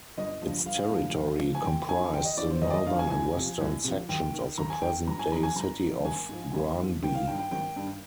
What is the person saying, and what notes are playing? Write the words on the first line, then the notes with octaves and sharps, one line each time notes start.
Its territory comprised the northern and western sections of the present-day City of Granby.
G1 D#5
G2 F3
G1 F5
G2 F3
D#2
D3 F3
G#5
D#2 G5
D3 F3 G#5
D#2 G5
D#5
D3 F3 D5
C5
D#2 D#5
D5
D#5
D3 F3 F5
G#5
C2 G#5
C3 F3
C2
C3 F3
D#2 G5
D#3
D#2 A#5
G#5
D#3 G5
G1 A#5
G#5
F2 D#3 A#5
G#5
G1 A#5
F2 D#3
G#1 G#5
G#2 F3
G#1
G#2 F3
G#1 G5
F5
G2 D#3 G5
G5
G#1 G5
G2 D#3